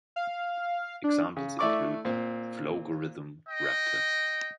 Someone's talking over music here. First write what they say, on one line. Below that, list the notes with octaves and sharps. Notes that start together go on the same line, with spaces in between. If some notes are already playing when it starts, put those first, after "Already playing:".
Examples include Flowgorithm, Raptor.
F5
D4
C#3
A3 E4 D5 C#6 D6
A#2 C4
D#5 G5